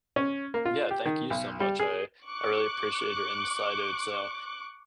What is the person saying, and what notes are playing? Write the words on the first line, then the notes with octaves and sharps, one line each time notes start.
Yeah, thank you so much. I I really appreciate your insight and so
C#4
A#3
F4
G4
D#3
B1
G3
G#4
C#6 D6 F#6